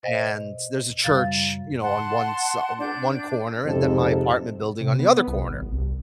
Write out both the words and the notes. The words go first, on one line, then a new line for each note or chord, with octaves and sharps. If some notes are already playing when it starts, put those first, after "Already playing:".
and there's a church, you know, on one si o o one corner and then my apartment building on the other corner.
B2 C5 D#5
F#2 C#3 G3 F5 A6
F#5 A5 C6
D4 D5 G6
F2 G#2 C3 A4
C3
B3
C2
G#1
C2